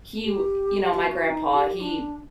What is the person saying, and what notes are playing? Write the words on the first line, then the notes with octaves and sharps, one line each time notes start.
he, w you know, my grandpa, he
G4
G4
F#4
D#4
G4
D4